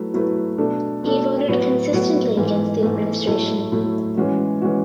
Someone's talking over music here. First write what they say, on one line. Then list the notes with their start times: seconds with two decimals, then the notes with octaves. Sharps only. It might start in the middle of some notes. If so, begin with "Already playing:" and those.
He voted consistently against the Administration.
Already playing: F#3 A3 E4 B4
0.14 F#3 A3 E4 B4
0.58 B2 A3 D4 A4
1.03 B2 A3 D4 A4
1.48 A2 F#3 B3 F#4
1.93 A2 F#3 B3 F#4
2.37 G#2 E3 A3
2.83 G#2 E3 A3
3.27 A2 F#3 A3 E4 A4
3.72 A2 F#3 A3 E4 A4
4.17 E3 G#3 C#4 F#4
4.62 E3 G#3 C#4 F#4